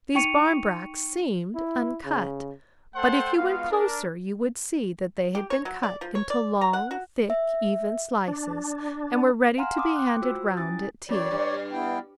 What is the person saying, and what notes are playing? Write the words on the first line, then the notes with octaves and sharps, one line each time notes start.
These barmbracks seemed uncut; but if you went closer you would see that they had been cut into long thick even slices and were ready to be handed round at tea.
D#4 G5 C#6 C#7 D#7 F7
E4
C#3
A3 A4 C5 F#5 G5 C6
G#3 B3 F4 F#4 F5
D4 A#4
G4
C#5
F#3
D5
F3
C#5
D5
A#5
F#5
F#4
E5
D4
F5 F#5 G#5 A#5 C6 F6
C6 D6 D#6
G5 D6 F#6
F4 F#4 C5 E6
C#4 E4 G#5 D#6 A6
F#2 C#5 D5
G2
B3 E4 G5